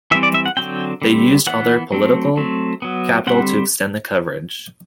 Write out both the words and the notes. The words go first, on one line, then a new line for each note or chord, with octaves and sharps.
They used all their political capital to extend the coverage.
E3 G3 C4 E5
D5
E5
F#5
D3 F#3 C4 G5
D3 G3 C4
E3 B3 F#5
F#3 A3 C4
F#3 A3 C4
F#3 B3
D3 G3 C4 F#5